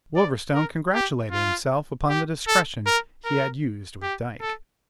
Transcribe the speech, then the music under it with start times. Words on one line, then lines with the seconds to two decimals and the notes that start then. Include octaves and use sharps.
Wolverstone congratulated himself upon the discretion he had used with Dyke.
0.16 D5
0.54 A#4
0.94 G4
1.32 F4
2.09 G4
2.48 A4
2.86 A#4
3.25 A#4
4.02 G4
4.41 A4